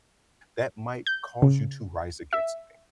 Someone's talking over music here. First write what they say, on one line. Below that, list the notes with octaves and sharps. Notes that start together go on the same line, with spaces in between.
that might cause you to rise against me.
G6
C#3
E5